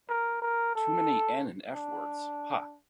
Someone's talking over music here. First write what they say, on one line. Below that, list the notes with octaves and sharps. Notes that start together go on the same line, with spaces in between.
Too many N and F Words, ha?
A#4
A#4
A4
D4